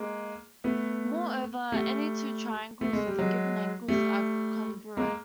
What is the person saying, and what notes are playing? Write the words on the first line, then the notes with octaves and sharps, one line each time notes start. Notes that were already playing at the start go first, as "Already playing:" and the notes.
Moreover, any two triangles with the given angles are congruent.
Already playing: G#3 A#3
A3 B3
G3 A3
A3
G#3
G3
F#3 G#3
G3 A3
G#3 A#3